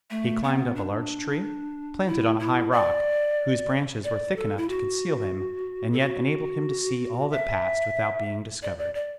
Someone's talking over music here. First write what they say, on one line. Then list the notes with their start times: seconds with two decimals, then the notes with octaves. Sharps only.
He climbed up a large tree, planted on a high rock, whose branches were thick enough to conceal him, and yet enabled him to see all that passed without being discovered.
0.10 A3
0.44 B3
0.76 D4
2.07 E4
2.40 E4
2.72 D5
4.04 D5
4.36 A4
4.57 E4
4.69 F#4
5.93 A4
5.99 F#4
7.31 E5
8.62 D5
8.79 D5
8.95 D5